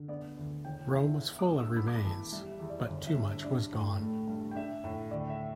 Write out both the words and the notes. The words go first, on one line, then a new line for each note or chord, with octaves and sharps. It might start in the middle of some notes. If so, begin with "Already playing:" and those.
Rome was full of remains, but too much was gone.
Already playing: D3
B3 D5
D2
E1 G5
E2 E5
B3 E5
D6
G2
E6
B3 B5
D6
B5
E3 A5
G3 E5
E5
E2
D5
G1
E5
G2
E5
D4 D5
A2
A3
G2
G5
D4 E5
A2
D2 D5
E5